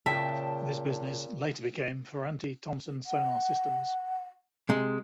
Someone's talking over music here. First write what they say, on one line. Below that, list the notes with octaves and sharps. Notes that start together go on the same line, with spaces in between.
This business later became Ferranti Thomson Sonar Systems.
A#2 C#3 E5 G5 A5
F#5
C3 G#3